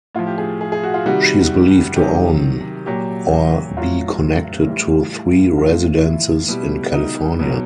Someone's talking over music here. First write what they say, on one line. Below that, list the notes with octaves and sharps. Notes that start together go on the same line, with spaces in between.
She is believed to own or be connected to three residences in California.
A2 F3 F4
G4
G#4
G#4
G#4
F#4
F4
C3 D#3 G3 F#4
C3 D#3 F#3 G4
A#2 F#3 G4
A2 F#3 F4
A2 E3 G3
A2 F3 F4
E4
B2 G3
D#4
B2 F#3